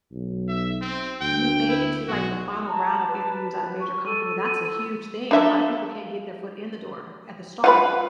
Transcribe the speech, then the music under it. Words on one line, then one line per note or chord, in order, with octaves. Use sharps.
You made it to like the final round of interviews at a major company, that's a huge thing. A lotta people can't get their foot in the door at the start of it,
B1
E5
C4
D2 G5
E4
B1 F#4
A5 A#5
B4
C#6
A4 D#7
A#3 D4 A4 E5
F4 B4 F#5 B5